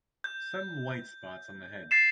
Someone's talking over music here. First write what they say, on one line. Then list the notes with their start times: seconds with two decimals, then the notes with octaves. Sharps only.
Some white spots on the head.
0.24 G6
1.91 A6 C7 E7